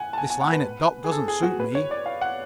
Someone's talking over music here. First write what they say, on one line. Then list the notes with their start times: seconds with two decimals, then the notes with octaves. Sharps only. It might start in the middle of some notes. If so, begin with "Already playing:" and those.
This lying at dock doesn't suit me.
Already playing: F#5 G#5
0.13 A5
0.18 G#5
0.30 G#5
0.41 F#5
0.52 B4
1.04 G#4
1.12 A4
1.28 G#4
1.43 F#4
1.60 B4
1.75 C#5
1.91 D5
2.06 F5
2.21 F#5